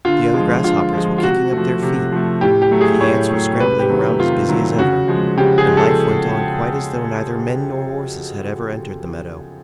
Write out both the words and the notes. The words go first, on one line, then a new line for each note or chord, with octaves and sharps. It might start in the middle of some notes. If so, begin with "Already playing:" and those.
The young Grasshoppers were kicking up their feet, the Ants were scrambling around as busy as ever, and life went on quite as though neither men nor Horses had ever entered the meadow.
D3 F4
F3 G#3
D3 F4
F3 G#3
F4
C3 F#4
F3 A3
C3
F3 A3
A2 G4
G4
F#3 A3
G#4
A2 C#5
F#3 A3
C3 B4
G4
D#3 F#3 A3
C3 F4
D#3 F#3 A3
C#3 F#4
F3 G#3
C#3 G4
G#4
F3 G#3
A4